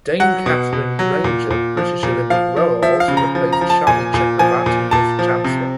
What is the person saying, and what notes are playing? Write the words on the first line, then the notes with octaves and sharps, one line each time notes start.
Dame Katherine Grainger British Olympic rower also replaced Shami Chakrabarti as Chancellor.
F#3 F#5
B2
B2
F#3
A#2
A#2
F3
A#2
F3 F5
F3
F3 E5
F5
C#3
A#5
F3
A#5
F3
A5
A#2 G#5
A#2
F3 G#5
A#2
A#2 A5
F3
C3